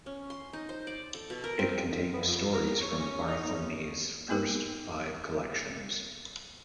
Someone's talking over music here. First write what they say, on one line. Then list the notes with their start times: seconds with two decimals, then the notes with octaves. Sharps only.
It contains stories from Barthelme's first five collections.
0.06 C#4
0.30 C6
0.53 D#4
0.69 C5
0.87 D5
1.15 A4
1.30 B2
1.44 A#4
1.59 C4
2.12 B3
2.26 F2
2.52 A#4
2.81 C#5
3.00 C#4
3.27 D#4
3.42 D#4
3.54 C#4
4.28 A#3 B3 D#4 A#4 G5